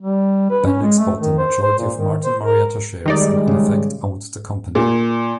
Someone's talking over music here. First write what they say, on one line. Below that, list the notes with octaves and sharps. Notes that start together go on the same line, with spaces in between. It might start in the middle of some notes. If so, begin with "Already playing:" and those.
Bendix bought the majority of Martin Marietta shares and in effect owned the company.
G3
B4
C#4
G#3
A3
D#3
C5
C5
A#2
D#3
C5
A#4
D#3 G3 G#3 D#4 D5
G#2 C#3
A#2